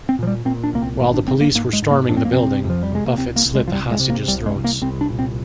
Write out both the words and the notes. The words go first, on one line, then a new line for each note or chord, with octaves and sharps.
While the police were storming the building, Buffet slit the hostages' throats.
C4
A#2 F3
G3
A#2 C4
D4
C2 A#3
C4
G#1 A#3
D4
G#2 C4
A#3
G#2 A#3
G#3
G#2
A#3
F2 D4
C4
A#3
C3 C4
F2
F3
G3
C3 G#3
A#3
C2 C4
A#3
C2
G#3
F3
C2 G3
G#3
C3
A#3
C2 G3
G#3
C2
A#3
C2 C4
D4
A#2
C4